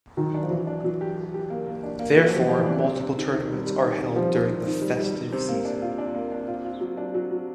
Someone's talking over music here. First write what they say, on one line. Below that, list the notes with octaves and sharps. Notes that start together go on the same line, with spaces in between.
Therefore, multiple tournaments are held during the festive season.
D#3 F#3
D4
F3
E3 F#3
D4
E3 F#3
G4
G4
G4
A#3
A#3
D4
A#3
E3 F#3
F3
E3 G4
F3 G4
E3
D4
C3
C3
D#3
D#3
G3
G3
D#3
C3
F3 G3
D#3
C3
D#3
G3
G3
G3
C3
A#3
D4
F4
D4
A#3
D4
F4
F4
F#3
D4
F#3
F#3